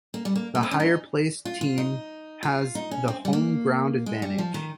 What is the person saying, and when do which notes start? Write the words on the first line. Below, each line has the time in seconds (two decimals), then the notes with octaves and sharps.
The higher-placed team has the home ground advantage.
0.14 A#3
0.25 G3
0.36 A#3
0.55 A#3
0.63 C4
0.71 C#4
0.80 D#4
1.45 F4
1.61 F4
1.78 D#4
2.43 F4
2.75 D#4
2.91 C#4
3.08 C4
3.25 G3
3.33 A#3
4.06 G#3
4.22 G3
4.38 F3
4.54 D#3